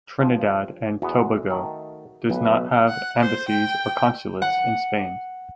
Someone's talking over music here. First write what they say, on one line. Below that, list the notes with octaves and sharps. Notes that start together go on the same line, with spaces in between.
Trinidad and Tobago does not have embassies or consulates in Spain.
G2 F3
E2 B3 F#4
D#3 A3
B1 F#3 B3 B4
F#5
C5
G5
F#5